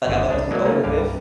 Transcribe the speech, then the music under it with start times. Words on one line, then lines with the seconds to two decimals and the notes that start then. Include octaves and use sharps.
like, "I thought this was over with?"
0.06 G1 D#2 D3 G#4
0.30 C2 D4 D#5
0.51 E3 F#3 G#3 A#3 D4
0.65 B2 A3 A#3 C#4 D#4 A#5
0.84 C2 G2 G4 F5